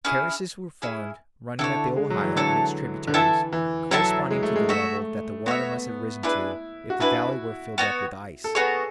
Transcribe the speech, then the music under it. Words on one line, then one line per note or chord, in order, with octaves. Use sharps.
Terraces were formed running up the Ohio and its tributaries corresponding to the level that the water must have risen to if the valley were filled up with ice.
C#4 E4 G#4
C#4 E4 G#4
D3 E4 A4 C#5
G#3
F#3
E3
D3 E4 A4 C#5
D3
E3 E4 A4 E5 A5
E3
F#3 E4 A4 E5 A5
G#3
A3
G#3
A3 F#4 C#5 E5
B3 F#4 C#5 E5
D4 E4 G#4 B4
F#4
D4 E4 G#4 B4
B3 F#4 C#5
A4
B3 F#4 G#4 C#5